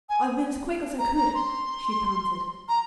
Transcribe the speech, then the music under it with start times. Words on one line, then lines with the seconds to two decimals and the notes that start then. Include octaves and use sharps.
"I have been as quick as I could," she panted.
0.09 G#5
0.99 A#5
1.17 A#5
1.35 C6
2.69 A#5